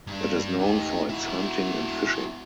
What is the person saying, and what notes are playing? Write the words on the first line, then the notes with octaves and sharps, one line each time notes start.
It is known for its hunting and fishing.
G2 D4
D#4 G4
E4 F#4